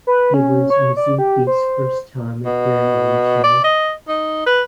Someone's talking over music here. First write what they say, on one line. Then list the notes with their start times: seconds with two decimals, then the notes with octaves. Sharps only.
It was Mizuki's first time appearing on the show.
0.07 B4
0.34 C#4
0.70 C#5
0.97 D5
1.18 G4
1.47 C5
2.45 B2
3.44 D5
3.64 D#5
4.08 D#4
4.46 B4